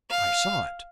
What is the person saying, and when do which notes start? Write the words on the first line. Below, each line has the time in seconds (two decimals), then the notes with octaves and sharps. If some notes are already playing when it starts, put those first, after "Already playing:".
"I saw it."
0.10 F5